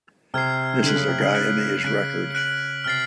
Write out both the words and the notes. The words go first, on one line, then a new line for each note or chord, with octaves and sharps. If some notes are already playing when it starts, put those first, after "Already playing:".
This is the Guyanese record.
C3 F6 G#6 C7
D3 F#6 B6 D7 F#7
C#3
C3
C#3
F#6 B6 D7 F#7
C#3 F#6 B6 D7 F#7
F#6 B6 D7 F#7
C3 F6 A6 C7